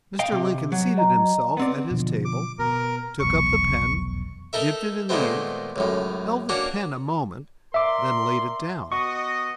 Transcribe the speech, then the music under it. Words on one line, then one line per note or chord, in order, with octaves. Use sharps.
Mr. Lincoln seated himself at his table, took up the pen, dipped it in the ink, held the pen a moment, then laid it down.
D#5 F5 G5
C3
F#3
D#5 A#5
B3 C4 D5
B2 D3 F3
D6
B2 A#4
F1 B1 E2 C#6
D#4 A4 A#4 E5
A#2 D#3 G#3 A3 B3 C4
C#2 F#2 A2
A#3 C#4 D4 F#4
A#4 D5 E5 C6 D6
B3 F#4 D#5 C#6